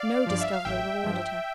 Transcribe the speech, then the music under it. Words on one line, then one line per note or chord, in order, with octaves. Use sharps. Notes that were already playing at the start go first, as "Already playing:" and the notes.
No discovery rewarded her.
Already playing: D5 F5
G2 F3 D5
E5
F5
A1 E5 G5
G2 F3